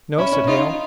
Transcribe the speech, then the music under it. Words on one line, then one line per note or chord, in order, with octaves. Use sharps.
"No," said Hale.
C#4 E4
C#4
D#4 F4